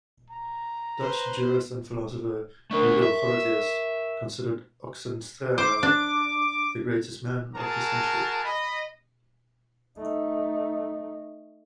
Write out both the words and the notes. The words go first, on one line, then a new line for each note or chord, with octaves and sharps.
Dutch jurist and philosopher Hugo Grotius considered Oxenstierna "the greatest man of the century".
A#5
B4 C5
A3 D4 A#4 C#6
E5
C5 D6
D4
F#4 G#4 A#4 A5
D#5 B5
A3 D#4